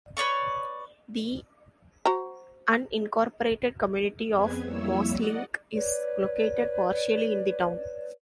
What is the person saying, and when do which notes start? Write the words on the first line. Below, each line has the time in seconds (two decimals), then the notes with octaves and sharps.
The unincorporated community of Mosling is located partially in the town.
0.17 B4 C#5 D5 C#6
2.05 F#4 C5 A#5
4.31 F2 B3 C4 G#4 B4 G#6
4.63 F2 G3 A#3 E4 C#5 E6
5.12 D5 D#5 F#5
5.73 B4 C#5 D5